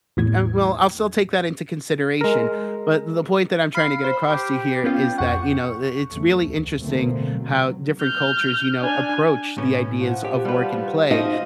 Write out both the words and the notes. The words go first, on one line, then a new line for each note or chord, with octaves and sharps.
I well, I'll still take that into consideration, but the point that I'm trying to get across to here is that, you know, i it's really interesting how different cultures, you know, approach the ideas of work and play,
E2 A2 G#6
G#3 A#4
F5 B5 C7
C5 B5
G4
B3 C#4 F4 G5
F2 F#5 C#6
E2 G2 A3
D2
B2 D3 F3 A3 A#3 C4
F#3
F6 G6
D4 G#5
A2 E3 C#4
F3 F#5
G4
G3 B4
F3 D#4 F#4 D#5